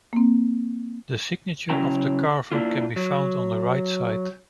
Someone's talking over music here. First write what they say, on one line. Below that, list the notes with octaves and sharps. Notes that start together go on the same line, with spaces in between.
The signature of the carver can be found on the right side.
A#3 C4
C#3 F#3 C#4 E4 G5 A#5
A#3 D4 E4 F4
F#3